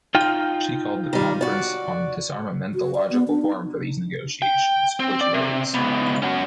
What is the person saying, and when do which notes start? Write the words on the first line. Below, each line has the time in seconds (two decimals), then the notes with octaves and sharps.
She called the Conference on Disarmament "the logical forum for these negotiations," which it is.
0.15 D#4 F4 G5
1.13 D#3 G3
1.41 F#4 D5
2.75 F#4
2.95 D5
3.11 B3
3.28 D4
3.42 D#4
4.42 G5
5.00 C4
5.21 D5
5.34 C3
5.74 C#2 B3
6.22 C#4 F#4